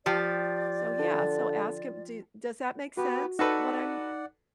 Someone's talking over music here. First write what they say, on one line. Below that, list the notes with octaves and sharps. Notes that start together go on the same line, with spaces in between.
So, yeah, so ask him, do Does that make sense, what I'm
F3 G4 D5
D3
B3 F#4 G4 B4
D#4 F#4 A4 B4 D5 F#5